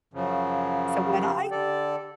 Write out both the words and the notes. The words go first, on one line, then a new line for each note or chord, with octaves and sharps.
So, what I
F#2 C#3 F3
G4
D3 A4 D5